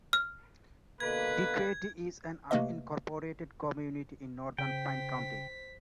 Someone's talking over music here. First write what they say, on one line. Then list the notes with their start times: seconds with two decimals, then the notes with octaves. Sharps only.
Duquette is an unincorporated community in northern Pine County.
0.13 F6
1.00 B2 D3 A#3 B4 G#6
2.51 C3 A3 A#3 B4 D#5
4.58 C#3 C5 G5 B6